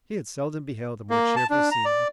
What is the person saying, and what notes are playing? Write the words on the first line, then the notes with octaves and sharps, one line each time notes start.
He had seldom beheld a more cheerful scene.
A#3
A5
D4
A#5
D5